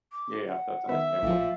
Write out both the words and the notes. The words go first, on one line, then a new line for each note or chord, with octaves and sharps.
Yeah, yeah, that's understandable.
D6
F#5
D#3 B3 E5
A1 A#2 F3 F5